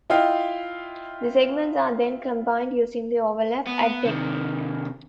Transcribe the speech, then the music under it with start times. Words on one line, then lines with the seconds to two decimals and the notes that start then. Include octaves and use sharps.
The segments are then combined using the overlap add technique.
0.10 E4 F4 D#5 F5 G5
3.67 B3
4.05 C3 D#3